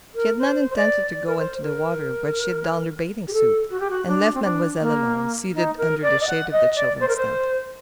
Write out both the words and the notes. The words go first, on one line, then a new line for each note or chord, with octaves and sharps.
She had not intended to go into the water; but she donned her bathing suit, and left Mademoiselle alone, seated under the shade of the children's tent.
A#4
C5
C5
D5
D5
A#4
C5
A#4
G4
A4
F#4
G4
F#4
D4
C4
D4
A#3
D#4
A#4
D5
D#5
F#5
D#5
D5
C5
A#4
C5